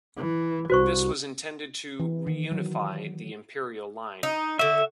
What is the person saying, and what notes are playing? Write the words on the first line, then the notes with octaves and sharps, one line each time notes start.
This was intended to reunify the Imperial Line.
E3
C2 F#4 C5 C#6
E3
D#3
F#3
D#4
D3 F#4 E5